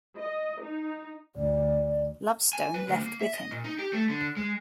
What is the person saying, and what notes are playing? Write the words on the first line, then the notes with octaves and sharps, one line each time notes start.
Lovestone left with him.
D#5
D#4
D2 D5
G#5
B4
D2
A#3
E5
D#5
A#2
D#4
G4
A3
D3
G#3